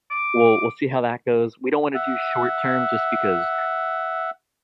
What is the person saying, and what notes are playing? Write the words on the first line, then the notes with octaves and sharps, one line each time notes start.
we'll we'll see how that goes. We don't wanna do short-term just because
D6
E5 F#5